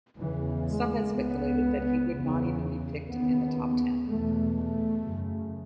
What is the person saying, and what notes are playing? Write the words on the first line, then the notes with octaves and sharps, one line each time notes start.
Some had speculated that he would not even be picked in the top ten.
E2 C#3 E3
G#3
C#2 C#3 B3
E2 C#3
D#2 C#3 B3
E2 B2 A3
A3
F#2 C#3